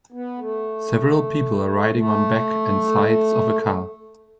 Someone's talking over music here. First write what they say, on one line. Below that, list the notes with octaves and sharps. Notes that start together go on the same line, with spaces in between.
Several people are riding on back and sides of a car.
B3
A3
A3